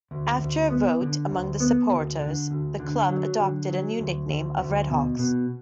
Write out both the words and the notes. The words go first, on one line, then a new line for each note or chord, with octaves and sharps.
After a vote among the supporters the club adopted a new nickname of RedHawks.
D2
D2
B3
D3
D2
B3
D2
D3
D2
D3
F#3
D3
F#3
D2
D2
D2
B2
B2